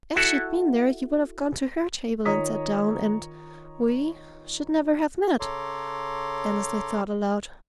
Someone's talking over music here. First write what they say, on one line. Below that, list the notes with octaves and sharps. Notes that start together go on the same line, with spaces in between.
"If she'd been there, you would have gone to her table and sat down, and we--should never have met!" Annesley thought aloud.
E4 F#4 A4 F#5
D#3 F4 C#5 A#5 D#6 B6
C#3 A4 C#5 A#5 C6 D6